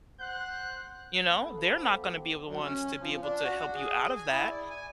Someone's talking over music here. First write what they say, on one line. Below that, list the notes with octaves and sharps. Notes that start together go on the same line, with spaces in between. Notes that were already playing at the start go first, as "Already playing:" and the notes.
you know? They're not gonna be the ones to be able to help you out of that.
C5 F#5 F#6
A#5
B3
A4
F3
G4
F#3
F#2
C#4
F3
D4
F#4
G#4
G#5
E4
D5
G#5